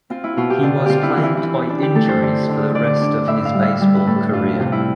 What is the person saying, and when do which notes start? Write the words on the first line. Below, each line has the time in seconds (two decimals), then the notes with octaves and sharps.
He was plagued by injuries for the rest of his baseball career.
0.10 C4 F4
0.24 E4
0.37 B2 F4
0.50 G4
0.63 D3 F4
0.86 C4 F4 G4
1.03 E4
1.16 E3 F4
1.23 E4
1.37 E4
1.43 E3
1.69 D4
1.82 G4
1.95 A3 A4
2.09 C5
2.22 D3
2.49 D3
2.75 D3 D5
3.01 D4
3.27 A2 E5
3.45 F5
3.54 G3
3.63 E5
3.81 G3
3.94 B4
4.07 A2 A4
4.33 D4 F4
4.60 C3 F4
4.72 E4